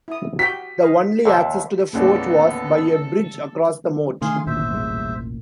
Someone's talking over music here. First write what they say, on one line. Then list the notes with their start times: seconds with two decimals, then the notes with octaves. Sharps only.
The only access to the fort was by a bridge across the moat.
0.08 E4 D#6
0.39 F#4 G4 G5 B6
0.81 C5 D#5 F5
1.25 D#2 C3 D5 E5
1.93 D#2 A2 C#3 A#3 B3 C#4 A4 D5
4.22 D3 D#3 A3 G#4 F5 C6
4.47 E1 A1 A#2 C5 E5
4.70 E2 G2 G#3